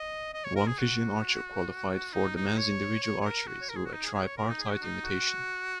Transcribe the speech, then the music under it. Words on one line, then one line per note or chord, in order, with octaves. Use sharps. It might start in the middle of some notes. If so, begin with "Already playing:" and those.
One Fijian archer qualified for the men's individual archery through a tripartite invitation.
Already playing: D#5
D#5
C#5
A#4
G#4
F#4
D#4
D#4
C#5
C#5
C#5
A#4
F#4
C#5
A#4
G#4
F#4
D#4
G#4
G#4
C#5
A#4
D#4
G#4
F#4
D#4
F#4